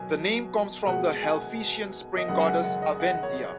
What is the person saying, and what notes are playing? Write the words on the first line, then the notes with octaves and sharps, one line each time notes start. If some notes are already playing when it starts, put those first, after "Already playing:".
The name comes from the Helvetian spring goddess Aventia.
Already playing: B2 F#3 G#5
B2 G#3 F#5
G#5
D#5
F#2 C#3 G#3 F#5
G#5
F#5
F#5
D#5
F#5
C#5